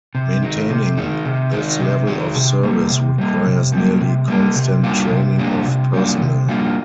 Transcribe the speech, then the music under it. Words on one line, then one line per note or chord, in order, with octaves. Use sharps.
Maintaining this level of service requires nearly constant training of personnel.
C3
D#3 G#3
C3
D#3 G#3
C3
D#3 G#3
C3
D#3 G#3
C3
G3 A#3
C3
G3 A#3
C3
G3 A#3
C3
G3 A#3
C3
G3 A#3 D4 F4
C3
G3 A#3 D4 F4
C3
G3 A#3 D4 F4
C3
G3 A#3 D4 F4